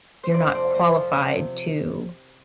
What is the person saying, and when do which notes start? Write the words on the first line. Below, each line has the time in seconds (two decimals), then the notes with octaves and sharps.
you're not qualified to
0.23 C5
0.34 C3 D5
0.47 C5
0.54 F2 D5
0.75 F2 C5
0.95 F3
1.15 C3